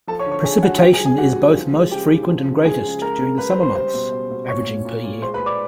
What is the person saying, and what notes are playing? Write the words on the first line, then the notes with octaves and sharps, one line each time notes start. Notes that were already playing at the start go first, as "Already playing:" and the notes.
Precipitation is both most frequent and greatest during the summer months, averaging per year.
F3 A4 A5
C#5 C#6
D3
C#5 C#6
D3 G#4 G#5
G#3 F#4 F#5
G3 G4 G5
G#4 G#5
D3
G#4 G#5
G3 F#4 F#5
D3
F3
G#3
C#3 G4 G5
C#3
F3
C#3
G#3 G#4 G#5
C#3
G#3 A#4 A#5
G#3
G#3 B4 B5
C5 C6
C#3
C5 C6
G3 C5 C6
B2
B2
B2
A#2 C#5 C#6
A#2
A#2
A#2
G#3 C5 C6
B4 B5
G#3
D5 D6